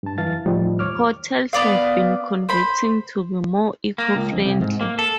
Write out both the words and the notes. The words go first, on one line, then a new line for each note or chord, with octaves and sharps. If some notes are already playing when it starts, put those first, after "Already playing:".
Hotels have been converting to be more eco-friendly.
G2 A5
F#2 E3 F5 A6
D2 A2 F3 G3 D#4
D#2 C#5 D6 F6
B3 D5 F5
C5 B5
A#3
C#2
F2
C2
G#2
A#3
A4